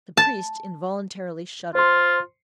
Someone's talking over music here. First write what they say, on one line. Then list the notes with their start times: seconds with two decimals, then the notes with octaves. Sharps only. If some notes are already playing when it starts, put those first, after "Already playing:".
The priest involuntarily shuddered.
0.17 A5
1.75 F4 C5 C6